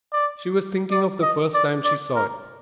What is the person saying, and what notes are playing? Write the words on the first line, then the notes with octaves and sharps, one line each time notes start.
She was thinking of the first time she saw it.
D5
D5
D#5
D5
D5
A#4